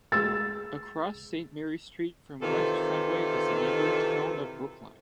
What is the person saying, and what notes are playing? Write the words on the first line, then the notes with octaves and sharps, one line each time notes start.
Across Saint Mary Street from West Fenway is the neighboring town of Brookline.
G#3 E6 A6
C3 D#3 E3 F4 A4